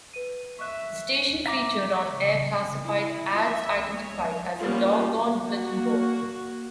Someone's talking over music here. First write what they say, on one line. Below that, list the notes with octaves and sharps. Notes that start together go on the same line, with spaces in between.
The station featured on-air classified ads identified as the Dog-Gone Bulletin Board.
B4 D#7
E5 C#6 F#6
E5 A#5 D6
E4
E5
C#5
G3 A#3 B3 C#4 F4 F#4
A#3 F#4